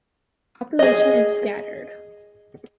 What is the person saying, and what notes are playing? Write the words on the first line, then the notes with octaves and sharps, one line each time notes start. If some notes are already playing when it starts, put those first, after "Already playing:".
Population is scattered.
G#4 D#5